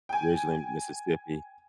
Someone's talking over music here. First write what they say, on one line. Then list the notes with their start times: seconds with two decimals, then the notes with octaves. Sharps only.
originally Mississippi.
0.09 G5 G#5